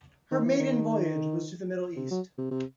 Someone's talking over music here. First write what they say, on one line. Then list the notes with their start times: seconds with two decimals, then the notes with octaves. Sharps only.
Her maiden voyage was to the Middle East.
0.31 D#3
0.45 E3
0.59 D#3
1.96 C3
2.11 F#3
2.38 C3
2.51 C3